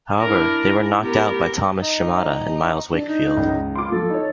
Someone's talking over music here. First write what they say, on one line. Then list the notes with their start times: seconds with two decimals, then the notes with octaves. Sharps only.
However they were knocked out by Thomas Shimada and Myles Wakefield.
0.19 D4 E4 A#4
1.01 B3 G4 A#4
1.81 D#4
2.93 D4
3.09 D#4
3.37 C#2
3.75 F4 C6 D6
3.92 F3 A4
4.10 D#4 C#5